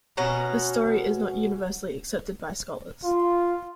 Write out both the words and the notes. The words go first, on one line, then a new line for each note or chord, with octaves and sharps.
This story is not universally accepted by scholars.
B2 C#4 F#5 A#5
F4